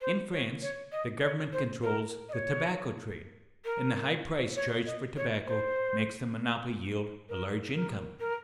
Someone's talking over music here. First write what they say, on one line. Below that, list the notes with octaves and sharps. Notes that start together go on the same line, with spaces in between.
In France, the government controls the tobacco trade, and the high price charged for tobacco makes the monopoly yield a large income.
C5
C#5
C#5
D#5
C#5
C5
A#4
D#5
C#5
A#4
C#5
D#5
C#5
C5
A#4
A#4
A#4